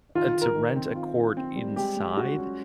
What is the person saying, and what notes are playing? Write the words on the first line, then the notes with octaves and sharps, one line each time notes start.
uh, to rent a court inside
D#3 F4
D#3
A#4
D#3
C4
F4
F4
C4
G3
G#3 G4
G#3
G#3 F#4
C#4